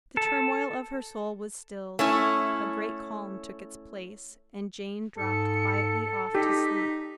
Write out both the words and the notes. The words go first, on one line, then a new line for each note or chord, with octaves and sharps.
The turmoil of her soul was stilled; a great calm took its place, and Jane dropped quietly off to sleep.
A4
A3 C#4 E4
G#2 A4 C#7
D#4 G4 B6